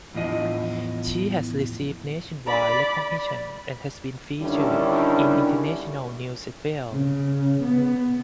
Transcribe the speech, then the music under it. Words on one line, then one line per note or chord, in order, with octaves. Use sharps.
She has received nationwide recognition and has been featured in international news as well.
E2 A2 F3 D#5
D5 B5
D3 D#3 G3 C#4 D4 E4
C#3
B3